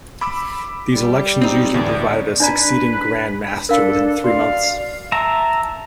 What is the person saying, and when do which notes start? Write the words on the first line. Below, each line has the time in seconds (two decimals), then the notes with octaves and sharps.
These elections usually provided a succeeding grand master within three months.
0.21 B5 D6 E6
0.92 G3
1.41 C4 D#4
1.74 D2 A2 E3 D5
2.40 D4 B4 D5 A#5
3.69 D4 A4 A#4 F5
4.24 F#4 D5 F5
5.12 E5 A5 A#5